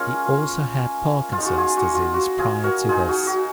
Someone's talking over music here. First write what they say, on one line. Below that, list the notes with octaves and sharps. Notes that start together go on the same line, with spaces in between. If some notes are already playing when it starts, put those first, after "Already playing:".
He also had Parkinson's disease prior to this.
Already playing: G#3 C#4 F4 A#4 C#5
F4
F4
G#3 D#4
F#4
F4 G#4
F#4
F4
F#4
F4 G#4
F#4 A#4
G#3 D#4 F4 G#4
F#4
F#4